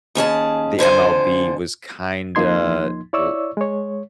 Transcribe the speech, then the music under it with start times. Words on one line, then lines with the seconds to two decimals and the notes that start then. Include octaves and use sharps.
the MLB was kinda l
0.15 D#2 C#4 G#4 A5
0.79 F2 D3 C5 G#5
2.35 D2 F3 A#3 D#4 C6 G#6
3.13 E4 C#5 D5 C#6 E6
3.57 G#3 C#5